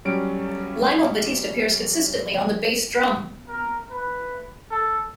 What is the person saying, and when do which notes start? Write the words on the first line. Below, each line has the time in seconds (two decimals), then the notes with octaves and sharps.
Lionel Batiste appears consistently on the bass drum.
0.05 F#3 G3 C#4 D7
3.49 A#4
3.91 B4
4.72 A4